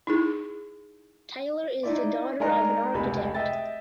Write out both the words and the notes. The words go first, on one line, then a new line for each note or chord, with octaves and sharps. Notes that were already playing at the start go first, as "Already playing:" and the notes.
Taylor is the daughter of an architect.
D#4 E4 G#4
D#4 E4 D5
G#3 D4 D#4 A#4 D#5
F1 C#2 G#3 B5
D#5 E5 G5 A6